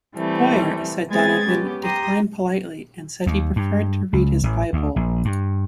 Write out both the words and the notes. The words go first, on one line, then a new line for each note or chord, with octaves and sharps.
Boyer, said Donovan, declined politely and said he preferred to read his Bible.
E3 G3 A3 C4
G#3 B3 C4 G#4 G#6 A6
B3 C#4 G4
G4 A#5 C6 D#6
D#2
G2
C#2
A1
D2
A#1
G2